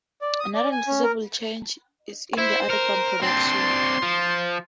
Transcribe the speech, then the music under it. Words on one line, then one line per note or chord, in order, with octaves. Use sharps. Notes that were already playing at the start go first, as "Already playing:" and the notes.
Another noticeable change is in the album's production.
D5
D#6
D5
G#5
C#4
A#4
E4 C5
A#4
C4 D4 C6
F3